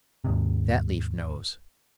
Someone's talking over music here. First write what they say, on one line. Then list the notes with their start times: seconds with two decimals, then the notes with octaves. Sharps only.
That leaf knows.
0.24 D#2 G#2 C3